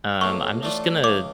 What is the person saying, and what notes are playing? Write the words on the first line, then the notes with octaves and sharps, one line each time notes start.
um, I'm just gonna
B1 A2 F#3 A#3 C#6
A2 E3 A3 D4 F4
C#2 C#3 E3 D6